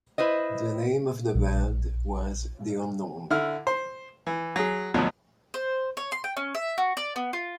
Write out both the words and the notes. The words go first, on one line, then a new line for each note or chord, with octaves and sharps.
The name of the band was The Unknowns.
E4 B4 C5 D#5
A#1
D3 E4 F6
C5
E3
F#3 G#4
G#1 D2 B2 F3 F#3
C5
C#5
C6
G5
C#4
E5
F#4
D5
B3
F4